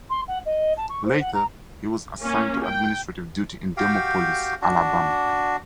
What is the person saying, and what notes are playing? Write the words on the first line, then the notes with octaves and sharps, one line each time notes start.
Later, he was assigned to administrative duty in Demopolis, Alabama.
C6
F#5
D#5
A5
C#6
C5
F#5
A#5
A#3 C#4
G5
F#4 G4 F5 G5
D4 F#4